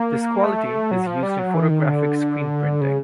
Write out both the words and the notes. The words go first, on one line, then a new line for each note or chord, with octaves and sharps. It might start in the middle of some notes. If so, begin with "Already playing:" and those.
This quality is used in photographic screen-printing.
Already playing: A#3
A3
F#3
F3
G3
F#3
E3
D#3
D3
C#3